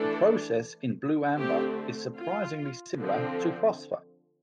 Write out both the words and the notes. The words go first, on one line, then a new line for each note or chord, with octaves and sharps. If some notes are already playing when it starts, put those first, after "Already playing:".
The process in blue amber is surprisingly similar to phosphor.
Already playing: E3 A3 D4 A4
D3 A3 C4 G4
F4
D3 F3 C4